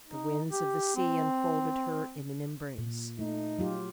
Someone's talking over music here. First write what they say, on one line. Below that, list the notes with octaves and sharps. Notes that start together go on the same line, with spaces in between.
The winds of the sea enfolded her in an embrace.
D#4
G4
C4
A#2
A3 D#4
F#3 F4 G4